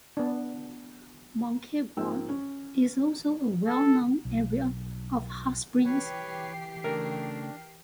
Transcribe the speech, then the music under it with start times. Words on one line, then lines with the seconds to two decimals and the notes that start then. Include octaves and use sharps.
Moncagua is also a well known area of hot springs.
0.17 B3 D4
1.97 G#2 F3 A#3 C4 G5 E6
2.29 C#4
3.66 A4
4.25 B1
5.85 E3 G4 B4 C#5 C7
6.84 C#3 A3 D4 A#4